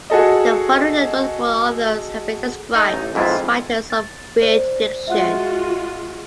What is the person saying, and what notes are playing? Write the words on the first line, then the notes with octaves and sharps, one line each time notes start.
The following notable authors have been described as writers of weird fiction.
F#4 G#4 A4 D#5
A3 D#4 G#5
A1
F2 G#2 E4 F4 B4
A6
C5 D5
G#3 F4 F#4 E5 F#5 F#6